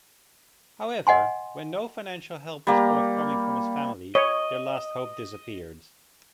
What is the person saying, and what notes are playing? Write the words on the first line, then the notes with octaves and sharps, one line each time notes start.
However, when no financial help was forthcoming from his family, their last hope disappeared.
D#5 F#5 G#5 C6
G3 A#3
C#5 D#5